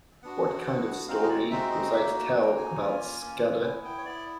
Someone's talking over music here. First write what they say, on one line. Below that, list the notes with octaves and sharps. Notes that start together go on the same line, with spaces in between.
What kind of a story was I to tell about Scudder?
B3 D4 F#4 F#5
B3 D4 F#4
G#3 C4 D#4 F#4 F5
D#5
D5
G#3 C4 D#4 F#4 E5
D#5
A#3 D#4 F#4 E5
A#3 D#4 F#4 G5
G#5
A#3 C#4 F4
A#3 C#4 F4
B3 E4 G#5
G5
C#5
B3 E4 D5